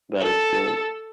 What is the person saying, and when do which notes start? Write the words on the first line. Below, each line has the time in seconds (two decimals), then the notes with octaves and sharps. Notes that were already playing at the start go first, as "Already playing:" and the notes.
that experience.
0.21 A4